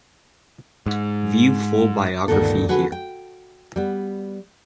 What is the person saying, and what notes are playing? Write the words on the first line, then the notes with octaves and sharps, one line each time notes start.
View full biography here.
G#2
D2 G2 A#2 D#3 B3 A4
D3 F#4 G#4 B4
G5
G3 B3